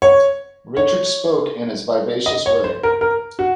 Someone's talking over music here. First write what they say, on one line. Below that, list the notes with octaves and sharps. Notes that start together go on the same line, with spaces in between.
Richard spoke in his vivacious way.
C#5
C#5
D#5
C#5
C5
A#4
A#4
F#4